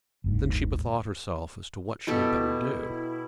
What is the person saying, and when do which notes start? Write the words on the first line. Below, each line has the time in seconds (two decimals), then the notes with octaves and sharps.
Then she bethought herself as to what she had better do.
0.24 F#1 D2 G#2
2.07 B2 E4 G4 A4